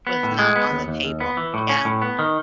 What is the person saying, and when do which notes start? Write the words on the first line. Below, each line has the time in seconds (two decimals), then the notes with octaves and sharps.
Was not on the table. Yeah.
0.07 B3
0.23 A2
0.39 G#3
0.56 B3
0.72 D#2
0.88 D#2
1.05 D#2
1.20 B3
1.37 E3
1.54 A2
1.69 C#4
1.85 A2
2.02 B3
2.19 D#3